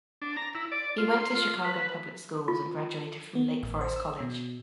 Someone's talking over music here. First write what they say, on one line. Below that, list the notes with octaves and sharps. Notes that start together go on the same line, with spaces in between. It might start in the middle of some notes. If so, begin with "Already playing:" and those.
He went to the Chicago public schools and graduated from Lake Forest College.
D4
A#5
E4
D5
F4
C6
F4
B4
F4
B3
A1
C5
E6
B2